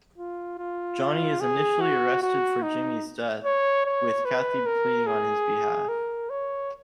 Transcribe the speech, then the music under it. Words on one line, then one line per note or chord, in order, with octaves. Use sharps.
Johnny is initially arrested for Jimmy's death, with Kathie pleading on his behalf.
F4
F4
G#4
F#4
F#4
D#4
C#5
C#5
B4
A#4
G#4
A#4
C#5